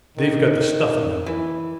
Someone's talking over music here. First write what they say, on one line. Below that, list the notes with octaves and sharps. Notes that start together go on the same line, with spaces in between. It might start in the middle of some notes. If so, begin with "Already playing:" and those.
They've got the stuff in them!
D#3
E3